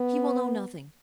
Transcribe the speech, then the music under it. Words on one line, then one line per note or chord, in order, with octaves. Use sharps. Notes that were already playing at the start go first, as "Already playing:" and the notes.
"He will know nothing."
Already playing: B3